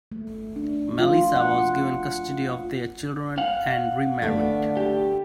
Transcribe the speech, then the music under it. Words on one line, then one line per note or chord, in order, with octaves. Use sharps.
Melissa was given custody of their children and remarried.
A3
D4
F4
F#5
F5 F#5
D3 A3 B3 D4
G4